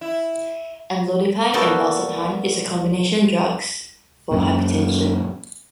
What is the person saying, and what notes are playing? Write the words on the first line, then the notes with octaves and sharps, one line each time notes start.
Amlodipine and valsartan is a combination drugs for hypertension.
E4
G3 A#3 B3 F#4 A4
F#2 A#2